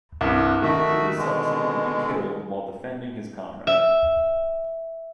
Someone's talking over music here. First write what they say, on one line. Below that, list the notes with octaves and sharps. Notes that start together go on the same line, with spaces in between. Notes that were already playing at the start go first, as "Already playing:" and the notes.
Wheatley was subsequently killed while defending his comrade.
C2 G2
D#3 A3 F#4 E5
B2 D3 G#3
E5